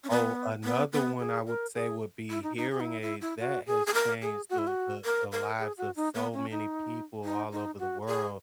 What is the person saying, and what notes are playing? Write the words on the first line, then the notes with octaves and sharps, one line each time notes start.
Oh, another one I would say would be hearing aids. That has changed the the the lives of so many people all over the world.
C#4
B3
B3
B3
G#4
A#4
G#4
E4
D#4
D#4
G#4
D#4
E4
E4
E4
F#4
G#4
G#4
A#4
G#4
F#4
E4
F#4
A#4
A#4
G#4
F#4
D#4
B3
C#4
D#4
D#4
D#4
F#4
G#4